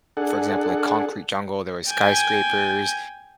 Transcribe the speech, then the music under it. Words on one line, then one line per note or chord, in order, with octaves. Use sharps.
for example, a concrete jungle. There were skyscrapers,
D4 G#4 A4 F#5
G5 G#5